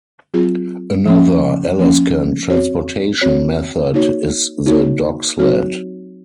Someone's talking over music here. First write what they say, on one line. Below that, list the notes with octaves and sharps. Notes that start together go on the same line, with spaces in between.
Another Alaskan transportation method is the dogsled.
F#3 C4 F4 G#4
F3 A#3 C#4
F3 A#3 C#4
C4 F#4 C#5
C4 F#4 C#5
A#3 D#4 F#4 C#5
A#3 D#4 F#4 C#5
F#3 C4 D#4 F#4 C#5